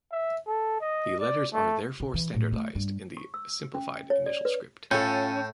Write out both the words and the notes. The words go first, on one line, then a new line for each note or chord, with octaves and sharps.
The letters are therefore standardized in the simplified initial script.
E5
A4
D#5
D5
A3
C3
E3
A2
A3
G2
C#6
E6
C#4
C#5
D5
B4
A2 C#4 F4 A4 G5 A5